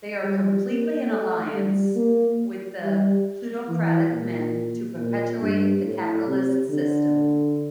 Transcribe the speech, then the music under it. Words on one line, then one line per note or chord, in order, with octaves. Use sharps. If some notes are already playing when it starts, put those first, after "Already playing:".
They are completely in alliance with the plutocratic men to perpetuate the capitalist system.
G3
A#3
A3
G3
A#3
G3
E3
A#2
A#2
G2
A2
C3
D3